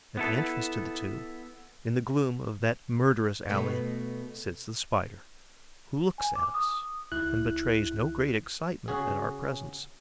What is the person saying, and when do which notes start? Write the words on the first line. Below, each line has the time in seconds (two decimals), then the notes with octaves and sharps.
At the entrance to the tube, in the gloom of that murderous alley, sits the Spider, who looks at us and betrays no great excitement at our presence.
0.17 B3 E4 A4
3.49 B2 A3 B3
6.18 G#5
6.35 D6
6.54 D#6
7.12 C#2 E4 F#6
8.88 C#3 F#4 G#4